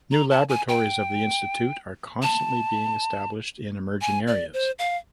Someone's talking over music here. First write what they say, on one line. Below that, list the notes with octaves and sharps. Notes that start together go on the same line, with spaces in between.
New laboratories of the institute are constantly being established in emerging areas.
A#5
A5
G#5
G5
A5
G#5
D5
C5
F5